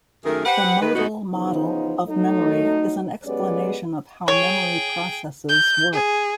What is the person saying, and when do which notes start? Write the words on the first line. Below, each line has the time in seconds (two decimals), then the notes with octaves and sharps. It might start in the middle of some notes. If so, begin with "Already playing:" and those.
The modal model of memory is an explanation of how memory processes work.
0.25 F#2 D#3 A3 G#4 A#4
0.45 G4 B4 C5 F#5
0.81 D#3 G#3 B4
0.95 D2 G2 E3 B3 D#4 F#4
1.32 C#3 E3 F3 B3 D#4
2.05 F#3 A3 D#4
3.25 F#2 G#3 B3 C#4 G4 D5
4.28 G#4 C#5 G5
5.49 G6
5.93 G#4